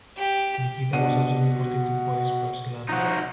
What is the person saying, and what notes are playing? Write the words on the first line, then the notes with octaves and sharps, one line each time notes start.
Nikita was also reported to police for slander.
G4
B2 D4 F#5 D#7
F#4
F3 D#4 F#4